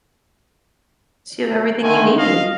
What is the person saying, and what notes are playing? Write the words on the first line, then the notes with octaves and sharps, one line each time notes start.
So you have everything you need.
D3 D#3 A3 G#5
D#5 F5